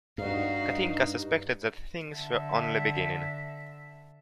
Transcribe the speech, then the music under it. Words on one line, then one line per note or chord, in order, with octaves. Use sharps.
Katinka suspected that things were only beginning.
G2 D#4 F#4 F5
D3 E5